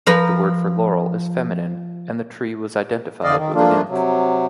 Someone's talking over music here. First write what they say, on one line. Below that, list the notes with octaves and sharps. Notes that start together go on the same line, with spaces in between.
The word for laurel is feminine and the tree was identified with a nymph.
F3 A#4 B4
F2 D3 D5 D#5 F5
D#3
F3 A3 A#3 D4 F4
C3 F#3